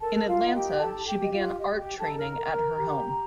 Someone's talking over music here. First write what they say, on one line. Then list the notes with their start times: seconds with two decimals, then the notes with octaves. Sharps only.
In Atlanta she began art training at her home.
0.01 A4 A#4 A5
0.27 F4 F5
0.41 D#4
0.54 G4 G5
0.79 G4 A4 A5
1.06 G4 G5
1.19 G4 D#5
1.32 F4 F5
1.58 G4 D#5
1.79 G4 G5
1.98 D#4 A4 A5
2.18 A#4 A#5
2.38 A#4
2.77 G4